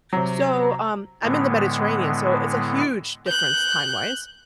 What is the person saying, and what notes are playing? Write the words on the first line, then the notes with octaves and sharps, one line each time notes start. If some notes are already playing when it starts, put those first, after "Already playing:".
So, um, I'm in the Mediterranean, so it's a huge difference time-wise,
C3 F#3
A2 D3 G#3 B3
F#6 G6